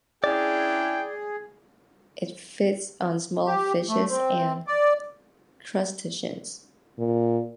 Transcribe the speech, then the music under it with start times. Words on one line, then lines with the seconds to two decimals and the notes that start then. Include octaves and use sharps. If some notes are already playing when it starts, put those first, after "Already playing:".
It feeds on small fishes and crustaceans.
0.24 C#4 D4 E4 G#4 D5 G5
3.47 G4
3.89 A3
4.09 C4
4.67 D5
6.99 A#2